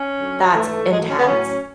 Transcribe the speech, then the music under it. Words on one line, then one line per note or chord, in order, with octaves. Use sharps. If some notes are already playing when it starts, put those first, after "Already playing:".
That's intense.
Already playing: C#4
F#2 D3 F#3
G#2 E3 A3
G#2 F#3 G#3
A3
C#4
B3
A2 F#3 C#4